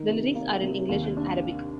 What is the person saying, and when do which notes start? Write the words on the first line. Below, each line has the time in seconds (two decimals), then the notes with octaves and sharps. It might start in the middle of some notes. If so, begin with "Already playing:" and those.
The lyrics are in English and Arabic.
Already playing: D#3
0.08 C3
0.35 A#3
0.62 C3
0.89 D#2
1.17 D4